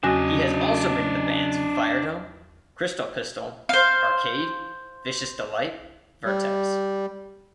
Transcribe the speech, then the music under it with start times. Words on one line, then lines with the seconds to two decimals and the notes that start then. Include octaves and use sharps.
He has also been in the bands Firedome, Crystal Pystal, Arcade, Vicious Delite, Vertex.
0.04 E2 C#3 F#3 D4 F#4 D#5 A#6
3.69 C5 F5
6.25 G3